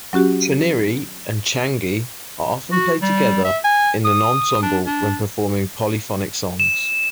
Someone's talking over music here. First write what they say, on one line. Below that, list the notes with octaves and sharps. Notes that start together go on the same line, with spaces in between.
Chuniri and Changi are often played together in an ensemble when performing polyphonic songs.
F#3 C#4 F#4 G4
F#4
G3
E5
G#5
D#6
D4
D4
E7